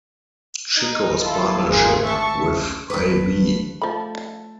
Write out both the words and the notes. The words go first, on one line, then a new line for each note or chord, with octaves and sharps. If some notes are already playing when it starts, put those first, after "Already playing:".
Chicco's partnership with Ai.Bi.
D#4
E4 F4 A4
G#1 D2 D#3 F4 G#4
E5 A5 C#6
C#2
G2 B4
F3 A3 A5 B5